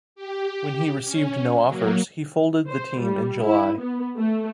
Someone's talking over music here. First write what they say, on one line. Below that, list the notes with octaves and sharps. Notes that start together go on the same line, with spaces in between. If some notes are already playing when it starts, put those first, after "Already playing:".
When he received no offers, he folded the team in July.
G4
C#4
F#3 A#3
C5
G3
E4
B3
A3